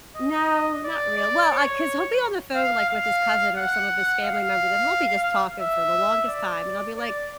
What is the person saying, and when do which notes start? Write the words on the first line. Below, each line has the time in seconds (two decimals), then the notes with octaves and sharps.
No, not real Well, I 'Cause he'll be on the phone, like, with his cousin or some of his family members, and he'll be just talking for the longest time, and I'll be, like
0.15 D#5
0.84 D5
1.17 D5
1.52 C#5
2.55 F5
2.88 F5
3.56 F#5
4.24 F5
5.61 E5
6.28 D5
6.97 D5